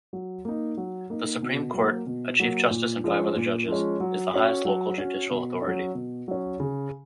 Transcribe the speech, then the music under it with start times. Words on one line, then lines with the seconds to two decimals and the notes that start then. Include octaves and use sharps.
The Supreme Court-a chief justice and five other judges-is the highest local judicial authority.
0.13 F#3
0.45 A#3 D#4
0.77 F#3
1.10 A#3 D#4
1.43 B2
1.74 F#3 A#3
2.07 B2
2.40 F#3 A#3
2.71 A#2
3.04 F3 G#3 C#4
3.36 A#2
3.68 F3 G#3 C#4
4.00 F#3
4.34 C#4 F#4
4.65 F#3
4.98 C#4 F#4
5.31 B2
5.62 C#4
5.67 F#3
5.95 B2
6.28 F#3 C#4
6.60 C#3